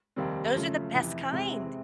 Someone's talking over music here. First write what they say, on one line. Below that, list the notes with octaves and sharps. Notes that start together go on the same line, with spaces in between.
those are the best kind.
F1 D#2 D#3 G3 C4
F#2 C#3 F3 A3
F2 C3 E3
E2 C3 E3 G#3 C4